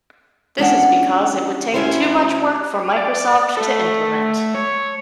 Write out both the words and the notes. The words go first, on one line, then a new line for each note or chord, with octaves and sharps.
This is because it would take too much work for Microsoft to implement.
E2 C#4 D4 F#5
D2 C3 C#4 E4 G4 C5
D5
A3 A4
C#5